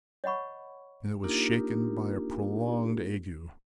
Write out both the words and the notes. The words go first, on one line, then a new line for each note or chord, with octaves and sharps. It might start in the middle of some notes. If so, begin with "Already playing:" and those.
Then it was shaken by a prolonged ague.
C#5 D#5 F#5 B5 C#6
A#3 D4 D#4 F4 G4 A#4